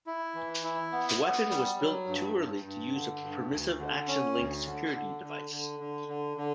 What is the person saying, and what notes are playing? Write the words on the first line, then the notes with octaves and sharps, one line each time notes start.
The weapon was built too early to use a permissive action link security device.
E4
E3
E4
B3
B3
G3
F#3
G2
G2
G2
D3
G2
D2
D3
C#4
D2
D3
D3
D3
D3
D3
D3
D3